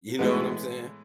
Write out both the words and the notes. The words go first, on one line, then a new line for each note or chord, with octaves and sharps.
you know what I'm saying?
A2 E3 G#3 B3